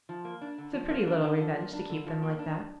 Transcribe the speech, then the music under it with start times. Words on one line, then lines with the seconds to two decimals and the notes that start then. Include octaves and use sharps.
It's a pretty little revenge to keep them like that.'
0.09 F3
0.25 A#3
0.42 D4
0.58 D3
0.74 F3
0.90 A#3
1.07 D4
1.23 D3
1.41 F3
1.57 A#3
1.73 D4
1.90 D3
2.06 F3
2.22 A#3
2.39 D4